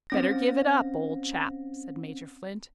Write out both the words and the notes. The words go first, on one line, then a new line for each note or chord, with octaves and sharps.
"Better give it up, old chap," said Major Flint.
C4 C#4 A#6